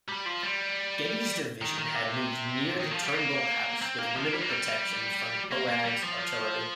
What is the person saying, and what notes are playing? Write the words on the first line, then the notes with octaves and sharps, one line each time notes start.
Getty's division had moved near the Turnbull House with limited protection from Poague's artillery.
G3
F3
G3
D#3
D#3
C3
D#3
F3
G3
A#3
C4
A#3
F3
A#3
G3
A#3
G3
A#3
A#3
G3
F3
F3